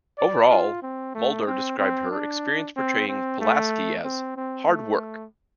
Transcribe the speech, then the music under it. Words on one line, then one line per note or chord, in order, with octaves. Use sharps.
Overall, Muldaur described her experience portraying Pulaski as "hard work".
D5
F4
C4
A3
C4
C4
D4
C4
C4
A3
C4
C4
A3